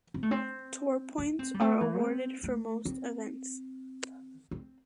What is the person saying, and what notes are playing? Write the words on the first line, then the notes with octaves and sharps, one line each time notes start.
Tour points are awarded for most events.
C4
A3
C4
D4
C4
G3
A3
E3
C4
A3
C4
C4